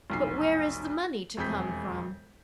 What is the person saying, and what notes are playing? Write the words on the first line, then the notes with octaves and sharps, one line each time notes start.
But where is the money to come from?
F1 B1 C7
E1 F2 G#4 G#5 G6 B6